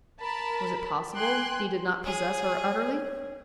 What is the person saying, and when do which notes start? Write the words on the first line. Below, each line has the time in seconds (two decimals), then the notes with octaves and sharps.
Was it possible he did not possess her utterly?
0.21 A#4 A5 B5
1.16 G5 G#5 C6 F#6
2.05 G#4 C#5